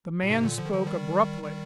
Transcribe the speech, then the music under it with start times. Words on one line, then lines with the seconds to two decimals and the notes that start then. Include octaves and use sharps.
The man spoke abruptly.
0.23 A#2
0.30 G#2 C3
0.43 A#2 D3
0.58 D3 F3
0.66 D#3
0.72 D3 F3
0.86 D#3 G3
1.43 D#3 G3